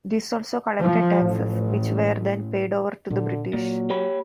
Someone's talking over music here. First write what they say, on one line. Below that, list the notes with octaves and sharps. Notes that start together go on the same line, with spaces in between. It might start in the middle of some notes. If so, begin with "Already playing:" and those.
These also collected taxes, which were then paid over to the British.
F3
A1
A#2 D3
A#2 F#3 A#3
G4 C#5 B5